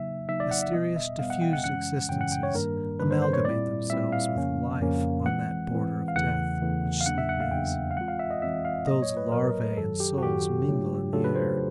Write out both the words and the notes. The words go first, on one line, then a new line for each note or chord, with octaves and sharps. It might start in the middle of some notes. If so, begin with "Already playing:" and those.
Mysterious, diffused existences amalgamate themselves with life on that border of death, which sleep is. Those larvae and souls mingle in the air.
Already playing: C#3 F#3 A#3 D#4 E5
C#3 F#3 A#3 D#4 E5
D5
F#5
E5
B2 G3 B3 D#5
E5
B2 G3 B3 F5
F#5
G5
F#5
F#2 C#3 E3 G#3 C#4 F#5
F#2 C#3 E3 G#3 C#4 G5
F#5
G5
C#5
G2 D#3 G3 A#3 D4 A#4
G2 D#3 G3 A#3 D4 B4
C5
C5
C#5
A#2 G3 C4 E4 D5
A#2 G3 C4 E4 E5
F5
F2 C#3 F3 A#3 C#4
F2 C#3 F3 A#3 C#4
E3 G#3 C4 F#5
E3 G#3 C4
F5
E2 C#3 E3 A3 F#5
E2 C#3 E3 A3
F5
E2 C#3 F#3 A#3 D4 F#5
E5
F#5
F5
E2 C#3 F#3 A#3 D4 G5
F5
E3 G#3 C4 F4 F#5
F5
E5
D#5
E3 G#3 C4 F4 E5
F5
A2 F#3 A#3 D#5
C#5
B4
A2 F#3 A#3 A#4
F#2 D#3 F#3 A4
G4
F#4
F#2 D#3 F#3 G4
C#3 F#3 A3 D4 F4
C#3 F#3 A3 D4 F4 A4
B4
C5